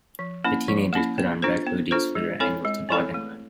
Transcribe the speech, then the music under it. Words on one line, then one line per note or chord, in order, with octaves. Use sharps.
The teenagers put on red hoodies for their annual toboggan run.
F3
A#3 C#4 E4
F3
A#3 C#4 E4
B3
D4 F4 A4 C5
B3
D4 F4 A4 C5
G#3
C4 E4 A4 C#5
G#3
C4 E4 A4 C#5
A3